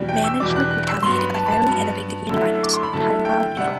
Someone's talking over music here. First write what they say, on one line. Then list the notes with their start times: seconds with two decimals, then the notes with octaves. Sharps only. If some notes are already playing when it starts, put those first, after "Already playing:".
Management retaliated by firing and evicting union miners and hiring non-union labour.
Already playing: E2 B2 G3 D4
0.09 G5
0.24 E6
0.40 E2 B2 G3 D4 D6
0.56 F#6
0.71 F#6
0.87 E6
1.02 G2 F#3 B3 C6
1.19 B5
1.34 A5
1.46 B5
1.51 A5
1.66 G2 F#3 B3
2.30 F#2 D3 A3 E4
2.63 D6
2.73 C6
2.83 B5
2.93 F#2 D3 A3 E4 A5
3.25 G5
3.56 C3 G3 D4 F#5